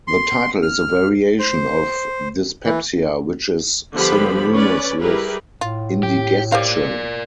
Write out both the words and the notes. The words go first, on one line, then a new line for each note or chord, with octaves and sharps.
The title is a variation of "dyspepsia", which is synonymous with indigestion.
C6
F6
C5
E3
D3 F3 G3 B3 G4 B5
C#4 B4 D5
G3 E4 G4 G#4 A#4 B4
A2 F4
G4
G4 A#4 C5 D5 F5